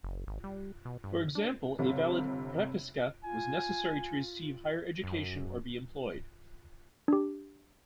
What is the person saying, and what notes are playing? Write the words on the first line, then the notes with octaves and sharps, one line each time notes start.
For example, a valid "propiska" was necessary to receive higher education or be employed.
F#1
G#1
G3
B2
G2
D4
G1 C3
F4 G#5
F#2
D4 G4